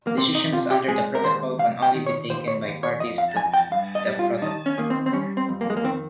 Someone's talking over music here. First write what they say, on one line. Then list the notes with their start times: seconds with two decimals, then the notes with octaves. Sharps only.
Decisions under the Protocol can only be taken by Parties to the Protocol.
0.07 A#3
0.17 C3 C4
0.35 D#4
0.52 C3 F4
0.71 G4
0.88 G#3 G#4
1.15 A#4
1.24 D#2 C5
1.59 C3 F5
1.82 G5
1.95 D#3
2.06 C#5
2.30 D#2 C5
2.48 C#5
2.65 D#2
2.83 C#5
3.00 F2 D#5
3.18 F5
3.36 F2 G#5
3.54 G5
3.71 G2 F5
3.95 D#5
4.07 G3
4.19 F4
4.42 D#3 D#4
4.66 C#4
4.78 D#3 A#3
4.90 C4
5.06 C4
5.13 G3 C#4
5.37 C4
5.49 F2
5.61 A#3
5.70 G#3
5.77 A#3
5.84 D#3 C4